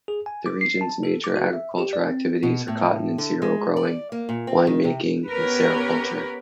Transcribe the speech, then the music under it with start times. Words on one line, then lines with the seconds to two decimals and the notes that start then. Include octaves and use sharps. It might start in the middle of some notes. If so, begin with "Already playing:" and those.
The region's major agricultural activities are cotton and cereal growing, winemaking and sericulture.
0.08 G#4
0.26 G#5
0.46 D6
0.61 C7
0.81 A5
1.03 A4
1.24 D6
1.36 F#4
1.53 E5
1.78 G4
1.93 D5
2.08 C4
2.43 B2
2.68 A2
3.18 D3
3.42 G#3
3.77 D5
4.12 A#3
4.29 A#2
4.47 C4
4.67 D#3
4.84 C3
5.31 B3 C#4 G4 A#4 B4